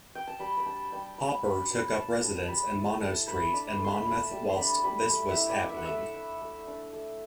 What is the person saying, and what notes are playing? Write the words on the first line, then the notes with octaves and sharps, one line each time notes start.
Hopper took up residence in Monnow Street in Monmouth whilst this was happening.
G5
A5
G3 B5
B5
D4 A5
G3 G5
F#3 B5
D4 B5
F#3 B5
D4 A5
G3 A5
A5
G3 B5
E4
A3 A5
A3 B5
D4 B5
C6
A3
C6
B5
A3
A5
G3
C6
D4 B5
G3 B5
A3
E5
E4
D5
A3
E5
F#5
A3 E5
E4
A3
D4
A3